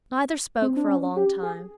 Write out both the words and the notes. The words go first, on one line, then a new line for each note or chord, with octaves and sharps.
Neither spoke for a long time.
C4
D4
C#4
G4
G#4